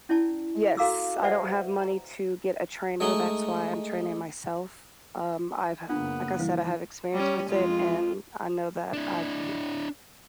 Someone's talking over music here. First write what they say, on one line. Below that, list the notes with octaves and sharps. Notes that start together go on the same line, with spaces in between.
Yes, I don't have money to get a trainer, that's why I'm training myself, um, I've h like I said, I have experience with it, and I know that I can
C#4 E4 D5 A5
F#4 A4 F5 A#5 D6 E6
B4 C5 D5 E5 F#5 A5
A#5
G#3 A3 D#4
F#2 C#3 A#3 B3 D4 F4
E3 G3 E4 C5 F5
G3 C#4
F2 G#3 F4
D4 E4